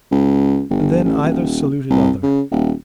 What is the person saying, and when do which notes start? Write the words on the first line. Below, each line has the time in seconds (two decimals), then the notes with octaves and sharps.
And then either saluted other.
0.12 C#2
0.70 G1
1.04 A1
1.23 D#1
1.90 C2
2.23 C#3
2.51 D#1